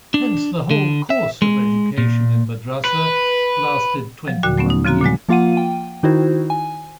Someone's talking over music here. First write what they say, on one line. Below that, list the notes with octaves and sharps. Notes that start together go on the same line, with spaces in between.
Hence, the whole course of education in madrasah lasted twenty-one years.
D4
D3
E5
G#3
A#2
B4
F3 F#3
D#2 A#2 D3 F#4 F#6
F#3 A3 B3 C#4
D#4
C#3 F3 C4 F#4 A#5
A#2 D3 F#3 G#3
F3 A#3 F4 F5 F#5 D#7
G5
D#3 D#4 E4 F#4 C5
G#5